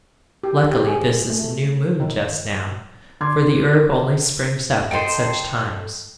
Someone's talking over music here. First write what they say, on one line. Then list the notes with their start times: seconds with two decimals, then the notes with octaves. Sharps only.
Luckily this is a new moon just now, for the herb only springs up at such times.
0.44 G4
0.72 G4
0.87 G#4
1.30 A3
2.00 D#3
3.21 D3 C6 D6 G#6
4.91 D#4 A4 C5 G5 C6